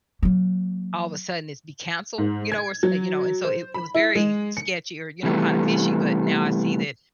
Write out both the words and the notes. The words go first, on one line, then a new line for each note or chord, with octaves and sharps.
all of a sudden it's be canceled, you know, where so, uh, you know, and so it it was very sketchy or, you know, kinda fishy, but now I see that
F#3 A#3
G#2
G#6
F#3
C5
B5
E4
G#3
C#7
C3 E3 G3 A3 B3